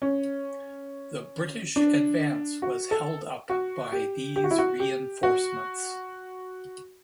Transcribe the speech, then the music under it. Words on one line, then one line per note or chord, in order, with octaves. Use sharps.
The British advance was held up by these reinforcements.
C#4
D4
F#4
A4
F#4
G4
G4
F#4
E4
F#4
G4
F#4